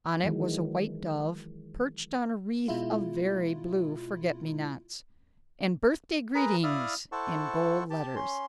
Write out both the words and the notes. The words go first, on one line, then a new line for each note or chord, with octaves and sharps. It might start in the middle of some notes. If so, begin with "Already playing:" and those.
On it was a white dove, perched on a wreath of very blue forget-me-nots, and "Birthday Greetings" in gold letters.
D#3 E3 F#3 G#3
B2 G#3 E4 F4
G#4 A#4 B4 A#5
E4 D5 E5 F5 D#6 F6
E4 A4 C5 F#5 A5 C#6
G4 A5
C#4 C6